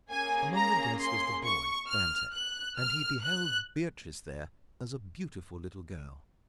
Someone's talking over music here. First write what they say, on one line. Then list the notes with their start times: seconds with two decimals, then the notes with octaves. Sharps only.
Among the guests was the boy, Dante, and he beheld Beatrice there as a beautiful little girl.
0.11 A#3 C#4 G#4 G#5
0.56 A#5
1.00 C6
1.45 C#6
1.89 F6
2.34 F#6
2.78 F6
3.22 F#6